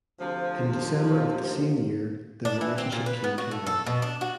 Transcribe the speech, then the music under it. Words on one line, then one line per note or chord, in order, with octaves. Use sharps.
In December of the same year the relationship came to an end.
D2 C3 F3
D#2
D4
E3
C4
A#2
B4
B3
F#4
A3
A4
B2
D4
F#4